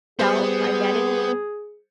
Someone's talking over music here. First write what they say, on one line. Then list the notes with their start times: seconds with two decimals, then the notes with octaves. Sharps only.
self, identity,
0.19 G3 B3 G#4 C5